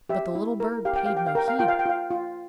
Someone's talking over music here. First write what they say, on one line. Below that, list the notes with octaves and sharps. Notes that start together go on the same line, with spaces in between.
But the little bird paid no heed.
G4 E5
E4
A#4
G4 F5
G5
G4 F5
G5
F5
A#4 G5
F5
F4 G5
F5
G5
F4 F5
F4